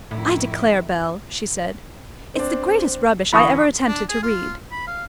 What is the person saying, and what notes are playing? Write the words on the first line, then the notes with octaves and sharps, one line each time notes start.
"I declare, Bell," she said, "it's the greatest rubbish I ever attempted to read."
F2 A2 D#3 E4
C4 D4
D2 E3 B5 C#6 D#6 A#6
D4
G#4
F4
B5
F5